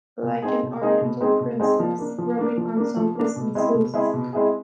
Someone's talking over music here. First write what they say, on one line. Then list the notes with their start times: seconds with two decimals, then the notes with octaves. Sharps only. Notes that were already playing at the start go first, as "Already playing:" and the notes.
Like an oriental princess, rubbing on some essences.
0.23 B2
0.42 G#3 C4 D#4 G#4
0.63 B2
0.81 G#3 C4 D#4 G#4
1.01 B2
1.21 G#3 C4 D#4 G#4
1.40 B2
1.60 G#3 C4 D#4 G#4
1.79 F3
1.99 A#3 D4
2.18 F3
2.38 A#3 D4
2.57 F3
2.77 A#3 D4
2.97 F3
3.15 A#3 D4
3.36 B2
3.55 G#3 C4 E4 G#4
3.74 B2
3.94 G#3 C4 E4 G#4
4.14 B2
4.33 G#3 C4 E4 G#4